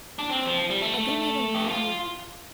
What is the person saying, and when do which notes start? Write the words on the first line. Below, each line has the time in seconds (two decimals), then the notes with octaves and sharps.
I don't even know you.
0.19 D4
0.29 C4
0.46 F3
0.71 G3
0.82 A3
1.55 G4
1.67 F4